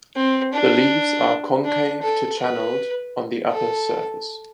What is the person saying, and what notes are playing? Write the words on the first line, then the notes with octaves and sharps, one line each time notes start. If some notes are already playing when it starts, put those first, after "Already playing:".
The leaves are concave to channelled on the upper surface.
C4
D4
D4
A4
B4
A4